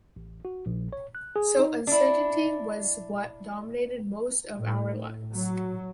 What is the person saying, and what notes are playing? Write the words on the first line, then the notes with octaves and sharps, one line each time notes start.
So uncertainty was what dominated most of our lives.
A1
F#4
A#1
C#5
F#6
G#4
D#4
D4 E4
A2
F#3